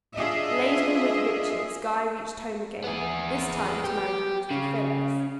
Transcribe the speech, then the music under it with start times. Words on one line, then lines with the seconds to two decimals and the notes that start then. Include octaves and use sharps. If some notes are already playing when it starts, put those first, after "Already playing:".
Laden with riches, Guy reached home again, this time to marry the beautiful Phyllis.
0.14 D4 F4 G#4 D#5 E5
2.84 B3 G#4
3.84 G4
4.50 C#3